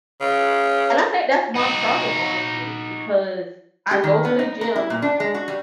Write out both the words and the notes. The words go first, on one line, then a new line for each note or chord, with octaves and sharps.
And I think that's my problem, honestly, because I go to the gym,
C#3
D#4 F#4
G4
D#3
B3
D#4
A#4
E4
A#2
D4
G#3
F#4
G3